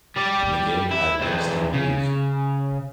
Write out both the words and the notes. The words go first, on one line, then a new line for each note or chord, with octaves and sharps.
The game had mixed reviews.
G3 D5
E4
E2 C4
C#3